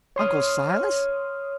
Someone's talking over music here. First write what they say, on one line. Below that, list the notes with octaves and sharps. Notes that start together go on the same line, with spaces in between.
Uncle Silas?
C#5 C6 D#6 F6